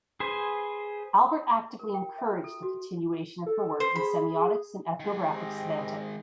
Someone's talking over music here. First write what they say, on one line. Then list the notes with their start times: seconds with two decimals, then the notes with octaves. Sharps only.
Albert actively encouraged the continuation of her work in semiotics and ethnographic semantics.
0.20 G#4 B4 C5 G#5
1.79 A#4
1.94 G5
2.18 E5
2.31 F4
2.44 A4
2.63 F#4
3.46 A4
3.80 C5
3.96 G#4 B5
5.00 D#3 G#3
5.32 C4 G4 D#5